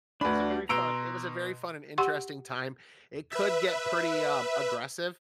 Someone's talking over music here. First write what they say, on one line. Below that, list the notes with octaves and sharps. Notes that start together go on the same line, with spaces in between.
Yes, it was a very fun it was a very fun and interesting time. It could get pretty, um, aggressive,
D2 D4 F#4 B4 B5
B2 A#5 C6 E6 D7
G4 F#5 C6 C#6
B4 E5